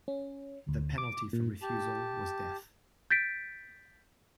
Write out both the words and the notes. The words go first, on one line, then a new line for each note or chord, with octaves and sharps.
The penalty for refusal was death.
C#4
D2
D6
A#2
G4 A5
G6 A6 B6 D7